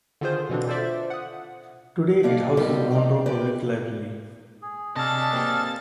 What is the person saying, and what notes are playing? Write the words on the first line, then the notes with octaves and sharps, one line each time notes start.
Today it houses Monroe Public Library.
D3 D#3 F4 G#4 C5
B2 D3 E3 C4 D4
F4 A4 C5 D5 E5
F#5 D#6
B2 A#3 D5 F5
D2 G2 B2 D#3 G3 G4
D#4 G4 D5
A#2 G4 B4 D5
G#4
C3 D4 G#4 A4 D#5 F5 A5
A#3 C4 G4